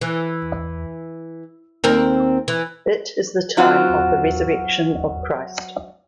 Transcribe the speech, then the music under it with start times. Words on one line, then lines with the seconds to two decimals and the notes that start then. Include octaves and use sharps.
It is the time of the resurrection of Christ.
0.01 E3
1.84 D#2 C4 A#4
2.48 E3
3.57 F#3 C4 F4 F#4